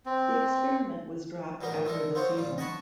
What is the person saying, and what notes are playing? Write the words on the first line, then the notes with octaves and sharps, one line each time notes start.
The experiment was dropped after the season.
C4
A1 B2 G3 B3 D4 A#4
E3 G#3 D4 A4 A#4
B3 C4 F4 C5 C#5
A1 G3 F4
D#5 F#5 G#5 A5 B5 C#6